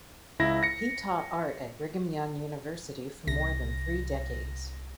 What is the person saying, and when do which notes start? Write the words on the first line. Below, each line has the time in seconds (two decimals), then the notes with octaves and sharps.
He taught art at Brigham Young University for more than three decades.
0.39 C#2 E4 A#6
0.63 A#6 C#7
3.27 C2 A#6